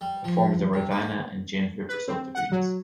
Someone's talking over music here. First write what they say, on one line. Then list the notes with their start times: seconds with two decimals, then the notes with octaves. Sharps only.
It forms the Rivanna and James River subdivisions.
0.01 G3
0.24 F3
0.73 C3
0.91 A#3
1.89 B4
2.08 C4
2.35 F#5
2.52 F#3